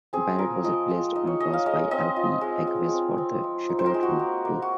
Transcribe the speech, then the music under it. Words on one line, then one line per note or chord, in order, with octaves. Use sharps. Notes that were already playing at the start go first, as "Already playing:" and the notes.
Barrett was replaced on bass by Alfie Agius for the "Shuttered Room" tour.
C4 G#4
F3 A#4
F3 D#5
G#3
D#4 D#5
C#5
G#3 D#5
F5
G#3 D#5
C4 D#5
F4
G#3
G#3
C4
C4
F3
D#4
C5
A#4
G#3
F#4
A#3
A#3
F#4